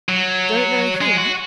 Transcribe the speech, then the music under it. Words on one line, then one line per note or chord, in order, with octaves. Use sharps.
Don't know him.
F#3
G#3
F#4